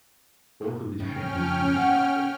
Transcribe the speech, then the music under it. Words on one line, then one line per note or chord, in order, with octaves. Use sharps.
Both of these changes increase output.
A2 C#3 C#4 D#4 G5 F6
F2 C#3 F3
F5 F#5